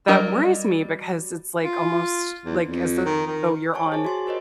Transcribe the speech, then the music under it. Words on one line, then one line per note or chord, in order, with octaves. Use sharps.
that worries me, because it's like almost, like, as though you're on
F#3 G3 F#4 A#4 D#5
F4
E2
F2
D#3
D#3
C5 C#5 G#5 A5 C#6
G#4 G#5
F#4 C6 A6
F4 A#4 C5 C#5 D#5